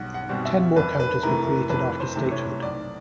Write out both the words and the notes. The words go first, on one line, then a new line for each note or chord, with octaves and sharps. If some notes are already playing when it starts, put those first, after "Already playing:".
Ten more counties were created after statehood.
Already playing: B1 B2 G3 F#5
F#5
B2 G3 C4
E5
F2 B4
B4
C3 E3 A3 A#4
A#4
F2 B4
C5
C3 E3 A3
C#5
B1 D5